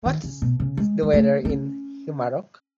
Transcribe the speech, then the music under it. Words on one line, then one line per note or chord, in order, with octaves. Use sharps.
What's the weather in Humarock?
D#3
C#3
B2
C#3
G#3
G#3
A3
D#4
C#4